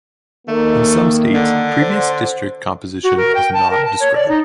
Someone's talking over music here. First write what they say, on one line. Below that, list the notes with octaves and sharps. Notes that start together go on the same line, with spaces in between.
In some states, previous district composition is not described.
D#3 A3 A#3
D3
C5
F#4
A#4
G5
A5
A#4
A5
C#5
D5
D#4